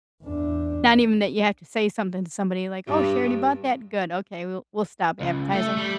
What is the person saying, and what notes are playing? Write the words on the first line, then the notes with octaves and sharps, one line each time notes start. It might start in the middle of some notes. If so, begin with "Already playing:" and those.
not even that you have to say something to somebody like, "Oh, she already bought that, good, okay, we'll we'll stop advertising,"
E2 D4
G2
C#2
A3
G3